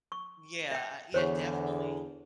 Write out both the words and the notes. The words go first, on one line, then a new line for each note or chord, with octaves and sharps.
Yeah, uh, yeah, definitely.
C#6
E5 G5
E2 D3 C5 C#5 C#6